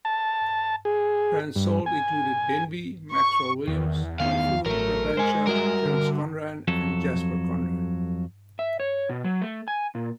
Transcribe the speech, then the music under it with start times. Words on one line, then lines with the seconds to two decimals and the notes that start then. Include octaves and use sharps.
Brands sold included Denby, Maxwell Williams, Typhoon, Brabantia, Terence Conran and Jasper Conran.
0.05 A5
0.85 G#4
1.55 G2
1.86 G#5
3.12 C#6
3.67 E2 D#3
4.20 D#3 B3 D#4 F5
4.66 A1 F#3 A3 A#4
5.17 G#3 C5 G#5
5.47 G3 F#4 A#4 E5
5.85 D3
6.68 F2 F#3 A4
8.59 E5
8.80 C#5
9.09 B2
9.24 F#3
9.42 A3
9.68 G#5
9.95 A#2